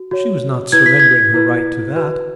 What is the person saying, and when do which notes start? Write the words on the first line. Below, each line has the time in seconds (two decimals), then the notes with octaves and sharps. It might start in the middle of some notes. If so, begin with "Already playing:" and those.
She was not surrendering her right to that.
Already playing: F#4
0.11 F#4 C#5
0.72 E4 B4 G#6
0.86 B6
1.00 G#6
1.34 E4 B4
1.96 F#4 B4